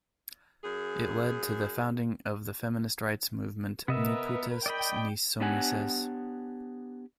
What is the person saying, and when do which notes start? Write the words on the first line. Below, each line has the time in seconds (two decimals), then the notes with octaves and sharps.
It led to the founding of the feminist rights movement Ni Putes Ni Soumises.
0.64 F#2 G#4
3.88 C3 B3 A#4 B4 D#5 E5
4.66 D5 D#5 G5 B5
5.40 B3 D4 G4 C#5 F#5 G#5